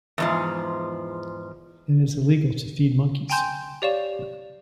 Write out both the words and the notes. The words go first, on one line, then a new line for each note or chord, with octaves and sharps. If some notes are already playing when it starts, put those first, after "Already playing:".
It is illegal to feed monkeys.
E2 G#2 F3
G5 G#5 A#5 C6 G6 E7
G4 C#5 D5 F5 C#6 E7